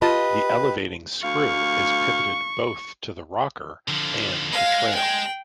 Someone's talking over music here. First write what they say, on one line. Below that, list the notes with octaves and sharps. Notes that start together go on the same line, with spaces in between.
The elevating screw is pivoted both to the rocker and the trail.
F4 G4 B4 D#5 A5
D2 F5 C#6
D3 F3
G#3 F5
G5